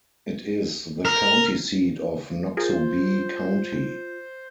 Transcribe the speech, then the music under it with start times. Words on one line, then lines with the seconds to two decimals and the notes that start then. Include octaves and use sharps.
It is the county seat of Noxubee County.
1.05 A#4
2.57 F4 G#4 A#4 C5